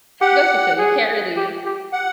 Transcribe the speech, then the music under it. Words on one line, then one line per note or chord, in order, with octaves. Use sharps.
it goes to show you can't really
G4 F#5
G#4
G4
G4
F#5